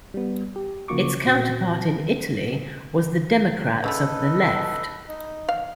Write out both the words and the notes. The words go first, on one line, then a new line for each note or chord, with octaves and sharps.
Its counterpart in Italy was the Democrats of the Left.
G3 B3
G4
C#3 F3 A#3 F#4 C#6 D6
A#2 C4 F#4 A#6
C#3 G#3 A3 D#4 A4 B4
D#4
F5